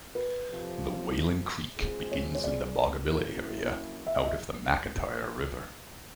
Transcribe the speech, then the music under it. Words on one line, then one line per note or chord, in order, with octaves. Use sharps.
The Whalan Creek begins in the Boggabilla area, out of the McIntyre River.
B4
F2 C3 F3
G#3 C4 F4 G#4
C#5
C#5
D5
F#3 A#3 C#4 E4
E5
D#5
E5